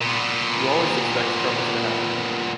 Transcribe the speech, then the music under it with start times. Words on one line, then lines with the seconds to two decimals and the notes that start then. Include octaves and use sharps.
You always expect troubles to happen.
0.02 A#2 B3